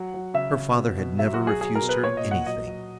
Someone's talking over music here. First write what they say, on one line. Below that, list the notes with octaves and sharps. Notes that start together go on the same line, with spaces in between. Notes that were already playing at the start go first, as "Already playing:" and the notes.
Her father had never refused her anything.
Already playing: F#3 F#5
F#3
C#3 E5
C#3
B2
B2
F#3 E5
F#4
F#3
G#4
F#3 G#4
A#4
B2
B4
A#2 C#5
D#5
A#2
F#5
F#3 D#5
F#3